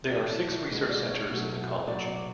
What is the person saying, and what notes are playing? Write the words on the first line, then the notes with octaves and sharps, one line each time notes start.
There are six research centres in the college.
E2 B2 A3 E4 D5
B2 G#3 B3 D4
D5
C#5
B2 F#3 A3
B2 F#3 B3 D5
D5